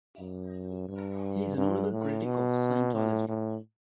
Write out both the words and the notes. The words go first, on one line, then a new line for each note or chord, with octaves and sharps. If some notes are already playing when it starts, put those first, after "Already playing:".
He is a notable critic of Scientology.
F#2
G2
G2
A2
B2
A2
A2